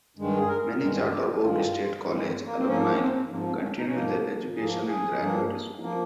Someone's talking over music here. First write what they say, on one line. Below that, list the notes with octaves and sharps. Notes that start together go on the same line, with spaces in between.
Many Charter Oak State College alumni continue their education in graduate school.
G2 D#3 G#3
G#4
A#4
G2 D#3 G#3 A#4
G4
G2 D#3 G#3 F4
G2 D#3 G#3
A#3
C4
G#2 F3 A#3 C#4
C#4
C4
G#2 F3 A#3
C4
C#4
D#4
C#4
G#2 F3 A#3 D#4
G#2 F3 A#3 G#4
G#4
G2 F3 A#3
F3 A#3